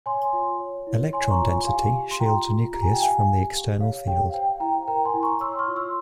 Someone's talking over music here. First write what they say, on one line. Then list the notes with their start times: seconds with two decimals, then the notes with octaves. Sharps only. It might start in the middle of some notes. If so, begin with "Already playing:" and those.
Electron density shields a nucleus from the external field.
0.06 C#5 G#5 C6
0.33 F4
0.60 C#5
0.87 E4
1.13 C#5 G#5 C6
1.31 A#5 C#6
1.40 F4
1.49 G#5 C6
1.67 G4 F5 G#5
1.94 G4
2.11 C6
2.20 F4 G5 A#5
2.47 F4
2.74 G4 A#5
2.83 G#5
2.92 G5
3.00 G4 F5 G#5
3.27 G4
3.54 G4
3.80 C#5 F5
4.07 G4 G5
4.29 F5
4.33 C5 G5
4.60 E4 G5 A#5
4.87 A#4 G5 A#5
5.05 G#5 C6
5.14 E4
5.23 A#5 C#6
5.40 C#5 C6 E6
5.59 C#6 F6
5.68 F4
5.76 C6 E6